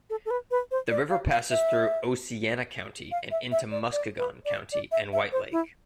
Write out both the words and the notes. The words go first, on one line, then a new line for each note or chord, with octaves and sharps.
The river passes through Oceana County and into Muskegon County and White Lake.
A4
A4
B4
B4
C5
D5
F5
F5
E5
F5
E5
E5
D5
D5
B4
D5
D5
E5
E5
C5
E4